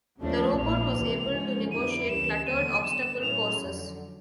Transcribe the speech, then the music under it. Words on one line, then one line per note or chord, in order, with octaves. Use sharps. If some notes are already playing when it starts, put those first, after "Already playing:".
The robot was able to negotiate cluttered obstacle courses.
D#2 C#3 F3 A3 D4
A#1 G#2 F3 A#3 D4 F7
C#2 C3 E3
G#2 F3 G#3 C#4
F2 D3 G3 B3 E4 D#7
D7
D2 C#3 E3 G3 E7
D#2 D3 F#3 A#3 D4 D#7
F#2 D3 G3 B3 E7
A2 F#3 A3 C#4 E4 F7
F2 D3 F#3